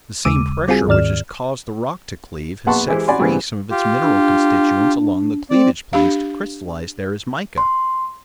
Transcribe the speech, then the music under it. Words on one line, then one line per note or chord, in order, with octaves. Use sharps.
The same pressure which has caused the rock to cleave has set free some of its mineral constituents along the cleavage planes to crystallize there as mica.
D#2 C#3 G#3 D6 E6 D#7
G3 C4 F4 F#4 G#4
D#2 G#2 D#3 D5 F6 E7
A#1 B3 F#5 A5 C6 C#6
E3 G#3 E4 G4 C5
C#4 F#4 D5 G#5 B5 C6
G2 C#3 E3 B3 C4
F4 G4
D4
C4 D5
D4 G4 F5
C6